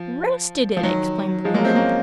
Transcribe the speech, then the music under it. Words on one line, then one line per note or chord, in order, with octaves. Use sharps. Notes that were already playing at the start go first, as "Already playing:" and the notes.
'Roasted it!' explained the woman.
Already playing: F3
F3
D#3 F#3
F3 G#3
F#3 A#3
G#3 C4
A#3 C#4